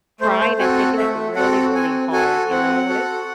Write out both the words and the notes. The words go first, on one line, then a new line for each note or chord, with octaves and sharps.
crying and taking it really, really hard? You know? What if
A3 C5
C5
C4 F#4 A4 G#5
F#5
A3 E5
C4 F#4 A4 F#5
C4 G#5
F#4 A4 G#5
C4 F#5
F#4 A4